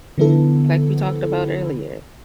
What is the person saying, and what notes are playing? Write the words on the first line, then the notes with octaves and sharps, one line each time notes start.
like we talked about earlier,
D3 F3 B3 E4 A4